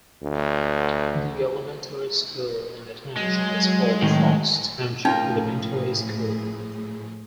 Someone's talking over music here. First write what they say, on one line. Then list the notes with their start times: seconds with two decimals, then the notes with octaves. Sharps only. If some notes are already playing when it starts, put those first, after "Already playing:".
The elementary school in the township is called Fox Township Elementary School.
0.23 D2
3.17 F#3 G#3
4.02 A2 D#3
5.05 A2 F3 C#4 D#4 F4 G#4 A#4 G5